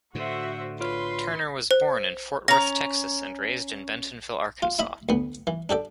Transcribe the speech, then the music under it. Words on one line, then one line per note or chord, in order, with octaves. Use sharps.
Turner was born in Fort Worth, Texas and raised in Bentonville, Arkansas.
A2 D3 F#4 C5 E5
F4 B4 C#5 C6 F6
C5
C#4 A#5 A#6
F4
E4 D#5 B5
D2 B3
E3
D4 G4 A4 D5